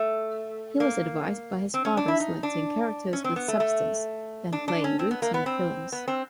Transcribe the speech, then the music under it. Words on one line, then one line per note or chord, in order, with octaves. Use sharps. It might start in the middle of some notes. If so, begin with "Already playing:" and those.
He was advised by his father selecting characters with substance, than playing routine films.
Already playing: A3
A#3
C4
C#4
D4
E4
D#4
D4
C#4
C4
B3
A3
A3
D4
D4
C#4
C4
B3
A#3
B3
C4
B3
C4